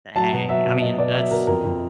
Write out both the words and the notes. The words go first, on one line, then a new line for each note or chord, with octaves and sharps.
Dang. I mean, that's
F#3 A5
B2
F#3 E5
B2
F#3 D#5
B2 D5
F#3 E5
B2 A#4
F2 A#4
F2